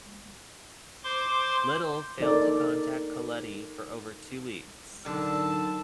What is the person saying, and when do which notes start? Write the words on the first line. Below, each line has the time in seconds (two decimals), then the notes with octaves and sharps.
Little failed to contact Colletti for over two weeks.
1.04 C5 C6 D6
2.20 D#4 A4 A#4 D5
5.05 A2 D3 F#3 D#4 A#4 A5 E6